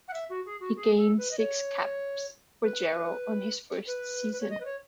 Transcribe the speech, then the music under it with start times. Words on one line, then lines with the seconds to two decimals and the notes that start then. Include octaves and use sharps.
He gained six caps for Jaro on his first season.
0.08 F#5
0.14 E5
0.30 F#4
0.46 G#4
0.60 F#4
0.76 G#4
0.97 A4
1.18 B4
1.31 D#5
1.38 C#5
2.62 B4
3.87 B4
4.32 B4
4.41 C#5
4.50 D#5
4.60 B4
4.65 C#5